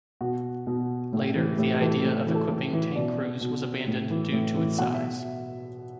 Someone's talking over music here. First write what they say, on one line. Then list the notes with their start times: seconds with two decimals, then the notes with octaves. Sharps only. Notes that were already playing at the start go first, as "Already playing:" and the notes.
Later the idea of equipping tank crews was abandoned due to its size.
0.21 B2 F#4
0.67 B2
1.13 A2
1.35 E3
1.58 A2 G4
1.81 E3 A4
2.04 A2
2.19 A4
2.27 E3
2.34 A4
2.50 A2
2.73 E3
2.95 B2 D5
3.41 B2
3.87 A2
4.10 E3
4.32 A2
4.55 E3
4.78 B2 F#5
4.93 E5